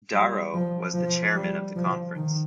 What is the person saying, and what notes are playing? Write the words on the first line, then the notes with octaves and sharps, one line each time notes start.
Darrow was chairman of the conference.
G3
F3
F3
G3
F3
D#3